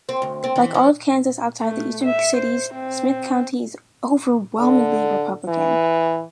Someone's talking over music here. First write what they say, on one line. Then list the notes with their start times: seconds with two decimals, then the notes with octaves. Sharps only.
Like all of Kansas outside the eastern cities, Smith County is overwhelmingly Republican.
0.09 C4
0.22 D2
0.44 C4
0.56 E3
0.74 F3
1.61 A3
2.04 E5
2.37 C5
2.74 C4
4.60 D3
5.48 E3